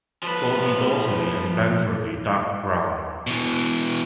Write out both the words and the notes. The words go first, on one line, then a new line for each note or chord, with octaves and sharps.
Body dorsally and ventrally dark brown.
F3 B4
B2 E3